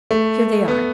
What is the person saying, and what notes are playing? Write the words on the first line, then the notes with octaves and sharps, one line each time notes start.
"Here they are."
A3
B3